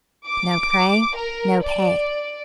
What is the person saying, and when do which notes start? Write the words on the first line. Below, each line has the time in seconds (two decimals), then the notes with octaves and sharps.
No prey, no pay.
0.27 D6
1.16 A#4
1.62 D5